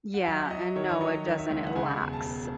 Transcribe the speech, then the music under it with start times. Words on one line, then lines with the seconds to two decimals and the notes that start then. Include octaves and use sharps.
Yeah, and no, it doesn't, it lacks
0.14 F#5
0.26 F#3 E5
0.51 F#3 D#5
0.76 D#3 C#5
0.89 C#5
1.01 F#3 D#5
1.26 D#3
1.38 E5
1.50 C#2
1.67 F#5
1.75 C#3 G#5
2.01 E1
2.13 A5
2.25 E1